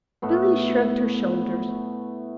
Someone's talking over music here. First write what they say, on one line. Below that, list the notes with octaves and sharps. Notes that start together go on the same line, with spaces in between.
Billy shrugged her shoulders.
A2 A3 B3